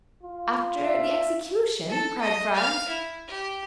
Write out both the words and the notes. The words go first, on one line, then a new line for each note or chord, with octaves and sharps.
"After the execution?" cried Franz.
F4
E5
A4
D#5
F5
E4
G4